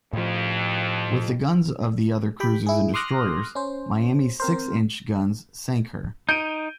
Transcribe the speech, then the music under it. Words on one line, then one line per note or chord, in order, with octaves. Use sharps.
With the guns of the other cruisers and destroyers, "Miami"s six-inch guns sank her.
F2 A2 F3
G4 G5 B5
E4 G#4
C6 D6 D#6 F6 F#6 A#6
C#4 C5
C4 A#4 C5
D#4 G6 D7 D#7